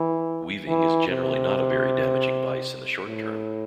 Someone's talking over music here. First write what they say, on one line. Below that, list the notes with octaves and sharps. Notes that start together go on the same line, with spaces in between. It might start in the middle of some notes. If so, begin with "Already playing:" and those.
Weaving is generally not a very damaging vice in the short term.
Already playing: E3
E3
C3
A2